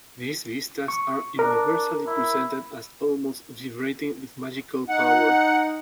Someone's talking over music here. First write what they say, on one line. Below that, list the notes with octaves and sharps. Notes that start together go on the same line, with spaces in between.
These vistas are universally presented as almost vibrating with magical power.
C#6
D4 A#4
E4
D#4 F#5